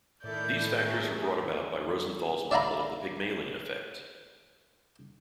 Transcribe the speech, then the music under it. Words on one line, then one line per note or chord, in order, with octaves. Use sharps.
These factors were brought about by Rosenthal's model of the Pygmalion effect.
A2 D#3 E4 A4 D5 G6
A3 G4 G#4 A#4 E5
D5 E5 F5 A#5 B5